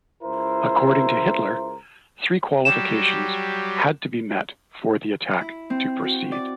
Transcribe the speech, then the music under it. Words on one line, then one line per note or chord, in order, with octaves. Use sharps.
According to Hitler, three qualifications had to be met for the attack to proceed.
C#2 E4 A#4 C5
F#3 G3 G4 E7
E4
C4
F#4
D5